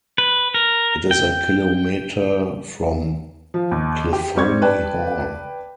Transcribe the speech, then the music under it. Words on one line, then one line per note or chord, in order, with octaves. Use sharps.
It is a kilometer from Cliffoney Hall.
B4
A#4
G5
F3
D#2
G4
G3 C4 C#6 G#6
B4 D5 G5 A5